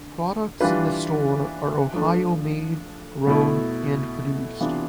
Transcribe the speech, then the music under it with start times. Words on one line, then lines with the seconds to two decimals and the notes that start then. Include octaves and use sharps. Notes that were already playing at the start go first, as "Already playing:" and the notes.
Products in the store are Ohio made, grown and produced.
Already playing: D3
0.61 E3 G3 D4 F4 B4
1.93 F3 A3 D4 A4
3.27 B2 A3 E4
4.60 C3 E3 B3 D4 F4